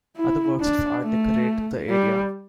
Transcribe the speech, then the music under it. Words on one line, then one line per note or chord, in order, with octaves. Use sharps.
Other works of art decorate the area.
E4
D4
A3
G3